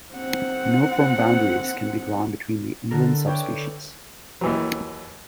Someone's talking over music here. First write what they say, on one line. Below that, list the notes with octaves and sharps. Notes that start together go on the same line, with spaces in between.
No firm boundaries can be drawn between the inland subspecies.
C4 F#5
D3 A4 A#4
B4 C#5 D5 E5 G5
D#2 E3 F#3